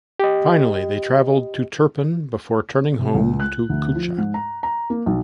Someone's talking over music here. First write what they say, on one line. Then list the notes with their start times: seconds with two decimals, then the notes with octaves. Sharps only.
Finally, they travelled to Turpan before returning home to Kucha.
0.20 G4 D#5
2.99 C3
3.15 C#2
3.40 F#6
3.69 D2
3.95 F3
4.17 G#2
4.34 A#5
4.63 A#5
4.90 A#3
5.06 B1